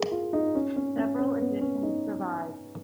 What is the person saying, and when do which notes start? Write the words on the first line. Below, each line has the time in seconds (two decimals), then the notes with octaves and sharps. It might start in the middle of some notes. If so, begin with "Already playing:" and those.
Several editions survived.
Already playing: G#4 A#4
0.12 F4
0.33 D#4
0.55 C#4
0.76 C#4
0.97 C#4
1.19 C#4
1.40 B3
1.61 C#4
1.83 D#4